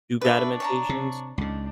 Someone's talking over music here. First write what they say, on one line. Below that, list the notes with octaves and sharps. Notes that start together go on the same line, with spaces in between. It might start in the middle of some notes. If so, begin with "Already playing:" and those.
do guided meditations.
D4 B4 E5 C#6
C#5 A5 A#5
C3
C#2 C#3 D4 D#4